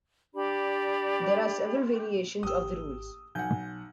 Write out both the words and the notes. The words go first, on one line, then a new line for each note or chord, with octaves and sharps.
There are several variations of the rules.
D4 G4 D5 B5
G#1 G4 D#6 E6
B1 F#5 G#5 G6